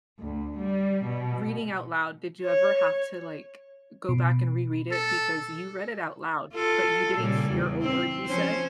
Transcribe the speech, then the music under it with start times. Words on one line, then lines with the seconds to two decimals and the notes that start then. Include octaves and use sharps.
reading out loud, did you ever have to, like, go back and reread it, because you read it out loud, but you didn't hear a word you said?
0.18 D2
0.57 G3
1.04 B2
2.42 C#5
4.09 B2
4.91 A4
6.54 F4 A4
7.18 A#2 C#3 G3
7.50 E2
7.82 C4
8.27 F3 C#4 C5